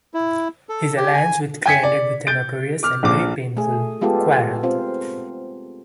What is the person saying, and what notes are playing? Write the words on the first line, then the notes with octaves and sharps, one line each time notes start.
His alliance with Grey ended with a notorious and very painful quarrel.
E4
A4
G4
G#5
G5 G#5 G#6 B6 C#7
D5
G6 A6 D7
D6 F6
A#1 D6
A3 G#4
G#3 B3 F4 G4 A4
C4 F4